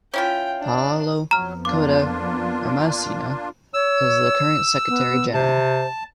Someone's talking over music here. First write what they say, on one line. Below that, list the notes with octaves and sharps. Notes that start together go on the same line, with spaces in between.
Paolo Cotta-Ramusino is the current Secretary General.
C#4 E4 F4 G5
D4
F2 F3 F#3 B3 A#5 F6
A#3 D4 F4 D6
C#5 E6
B3
C3 C5 A5